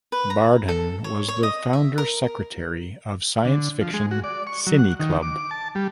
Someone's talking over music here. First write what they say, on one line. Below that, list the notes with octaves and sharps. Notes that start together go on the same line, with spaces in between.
Bardhan was the founder secretary of Science fiction cine club.
B4
A#5
A4
C#5
C#5
D#5
E5
A#4
D3
F3
G#3
F#4
D5
C#6
F#3
F#5
D#3
D6
A5
G3